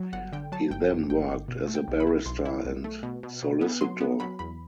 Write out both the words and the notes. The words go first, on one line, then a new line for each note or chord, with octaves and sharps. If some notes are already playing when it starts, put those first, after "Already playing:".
He then worked as a barrister and solicitor.
Already playing: F#3
G1 F#5
D3 G5
F#3 A5
G1 G5
F#2
G1 G5
G1
B2
A3
G5
B1
B5
E4
B1 C6
E4
B1
A3
B2
B2
B2
B3
F#3 C6
B3
F#3 B5
E2 B5